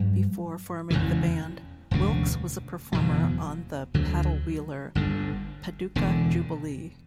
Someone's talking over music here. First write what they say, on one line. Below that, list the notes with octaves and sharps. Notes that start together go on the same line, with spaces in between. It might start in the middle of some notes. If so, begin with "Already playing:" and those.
Before forming the band, Wilkes was a performer on the paddle wheeler Paducah Jubilee.
Already playing: G2 F#3
E1 D2 C#3 E3
E1 D2 C#3
F#1 E2 B2 F#3
D2 D3 F#3
G1 G2 D3
E1 E2 D3